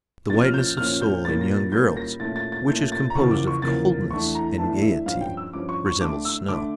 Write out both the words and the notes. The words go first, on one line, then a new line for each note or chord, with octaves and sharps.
The whiteness of soul in young girls, which is composed of coldness and gayety, resembles snow.
A#2 F3 C#4 A6
F6
G6
A#2 F3 C#4 F6
G6
A#2 G3 A#3 C#4 A6
A#6
A6
A#2 G3 A#3 C#4 G6
A#6
A#2 A3 C#4 A6
A6
A6
A#2 A3 C#4 G6
A6
A#5
E2 C#3 F3 A#3 C#6
D6
C#6
E2 C#3 F3 A#3 A6
E2 E3 A3 D4 C#6
A#5
E2 E3 A3 D4 A5
D5
E5
G2 F3 C#4 F5
G5
E6
G2 F3 C#4 D6
C#6
C#6
D3 A3 D4 D6
E6
D3 A3 D4 D6